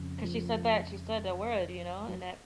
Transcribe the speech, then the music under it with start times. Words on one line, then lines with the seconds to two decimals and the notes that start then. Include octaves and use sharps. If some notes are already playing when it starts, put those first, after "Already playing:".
'Cause she said that she said the word, you know, and that
Already playing: F2 C#3
0.24 F3
2.08 F#3